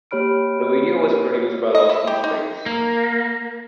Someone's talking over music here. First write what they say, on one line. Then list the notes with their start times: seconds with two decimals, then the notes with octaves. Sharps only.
The video was produced by Lost in Space.
0.11 A#3 G4 C#5 B5 F6 D7
1.75 D#5
1.89 E4
2.07 G4
2.24 D#4
2.66 A#3